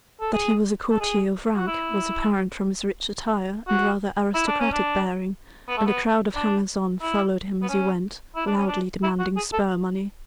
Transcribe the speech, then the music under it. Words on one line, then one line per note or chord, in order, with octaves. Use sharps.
That he was a courtier of rank, was apparent from his rich attire and rather aristocratic bearing and a crowd of hangers-on followed him as he went, loudly demanding spur-money.
A4
G#4
A4
G#4
F#4
E4
F#4
E4
D4
C#4
D4
B3
A3
B3
D4
E4
B3
C#4
E4
D4
C#4
D4
E4
F#4
G#4
A4